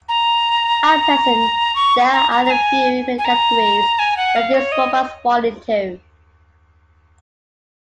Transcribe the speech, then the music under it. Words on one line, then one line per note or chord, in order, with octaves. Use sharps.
At present there are a few main categories that these robots fall into.
A#5
C#6
A#5
A#5
A#5
G#5
G#5
A#5
G#5
F#5
F5
C#5
D#5